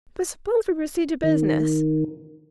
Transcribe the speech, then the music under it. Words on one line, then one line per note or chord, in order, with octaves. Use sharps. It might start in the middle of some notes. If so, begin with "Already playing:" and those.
But suppose we proceed to business.
D#3